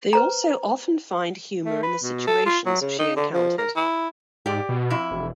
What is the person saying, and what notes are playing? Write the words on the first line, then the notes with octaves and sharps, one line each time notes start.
They also often find humour in the situations she encountered.
B4 C5 A#5
A3
B4
B2
A4
F4
F#3
C#3
D#4
D3
F3
A#4
E4
G#2 G4 D5
B2
F2 E4
E1